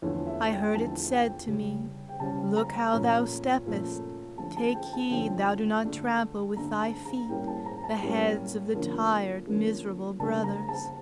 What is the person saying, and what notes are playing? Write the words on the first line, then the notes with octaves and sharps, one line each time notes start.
I heard it said to me: "Look how thou steppest! Take heed thou do not trample with thy feet The heads of the tired, miserable brothers!"
E2 D3 F3 A3 C#5
E5
G5
E2 D3 F3 A3 A5
G5
C#3 G3 C#4
G5
C#3 G3 C#4 A5
A#5
A#2 F3 A3 C#4 A#5
A#2 F3 A3 C#4
D3 F3 A3 C#4 A5
A5
G5
A5
D3 F3 A3 C#4 G5
D3 A3 D4
D3 A3 D4 A#5
A5
A#5
A2 G3 A#3 C#4 G5
A5
A#5
A5
A2 G3 A#3 C#4
D3 F3 A#3 C#4
D3 F3 A#3 C#4
C#3 G3 A#3 D4 A5
A#5
A5